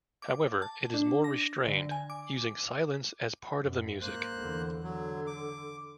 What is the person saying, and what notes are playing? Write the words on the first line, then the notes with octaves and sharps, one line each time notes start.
However, it is more restrained, "using silence as part of the music".
D6
A5
D4
A#6
D3
G#5
D6
F#2
G#2 A#3 C5 F#6
E2 D3
D3 F#3
D6